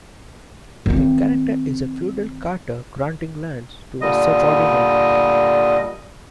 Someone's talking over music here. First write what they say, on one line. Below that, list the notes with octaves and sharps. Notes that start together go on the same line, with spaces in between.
The charter is a feudal charter granting lands to a subordinate.
D#3 C4
A#2 D3 G3 D#5